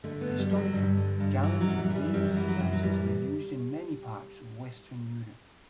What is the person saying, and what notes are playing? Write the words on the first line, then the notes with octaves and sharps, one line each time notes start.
Historically, gallons of various sizes were used in many parts of Western Europe.
D3 A3
B3
G2
G3
D3 G3
F#3
G2 G3
D3
G2
E3 F#3
F#3
F#2
G3
E3
G3
F#2 G3
F#3
E3
F#3
F#2
F#3
E3 G3